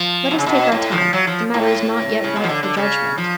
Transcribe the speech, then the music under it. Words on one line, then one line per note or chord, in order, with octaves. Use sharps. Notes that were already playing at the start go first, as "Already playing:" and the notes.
Let us take our time, the matter is not yet ripe for judgment.
Already playing: F3
B2
C#3
B2
A2
F3
F#3
F3
A2
C#3
B2
F3
D3
D3
C#3
F3